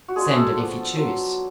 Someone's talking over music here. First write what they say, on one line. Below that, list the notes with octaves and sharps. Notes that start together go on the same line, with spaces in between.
Send it, if you choose!
F#4
G#3 D4 F4 G#4
F#4
A4
F3 B3 D4 F4
F#3 B3 F4